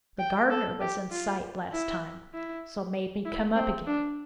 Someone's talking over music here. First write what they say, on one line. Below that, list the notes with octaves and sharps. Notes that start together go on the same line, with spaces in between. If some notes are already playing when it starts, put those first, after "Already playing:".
The gardener was in sight last time; so made me come up again.
G5
A4
G4
F4
E4
E4
E4
C4
D4